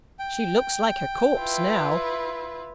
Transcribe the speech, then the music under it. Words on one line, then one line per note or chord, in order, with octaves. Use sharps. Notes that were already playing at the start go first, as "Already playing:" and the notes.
She looks like a corpse now.'
G5
E4 F4 B4